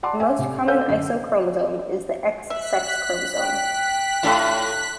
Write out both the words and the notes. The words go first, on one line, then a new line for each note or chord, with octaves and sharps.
The most common isochromosome is the X sex chromosome.
D5 F#5 A5 C6 D6
E5 G#5
C3
A4 C5 F5 F#5 E6 G6
F#2 D3
E5 F#6 B6
G5
A2 D4 F4 G4 A4